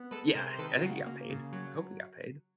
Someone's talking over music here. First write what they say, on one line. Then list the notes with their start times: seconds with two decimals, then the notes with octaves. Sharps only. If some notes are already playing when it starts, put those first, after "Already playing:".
Yeah! I think he got paid. I hope he got paid.
Already playing: B3
0.11 G#3 A4 B4
0.35 C3 A#4 C5
0.51 C5
0.59 D#3 A4 B4
0.77 F4
0.82 C#3 F#4
1.06 A#3
1.30 C#3
1.53 F#3